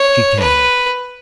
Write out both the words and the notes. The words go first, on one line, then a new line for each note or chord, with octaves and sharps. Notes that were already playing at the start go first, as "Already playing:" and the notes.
She came.
Already playing: C#5
B4